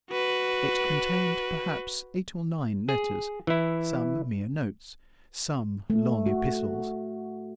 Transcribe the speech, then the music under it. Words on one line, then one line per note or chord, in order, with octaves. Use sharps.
It contained, perhaps, eight or nine letters,--some mere notes, some long epistles.
F#4 B4
G#4
E3 E4
A3
F#4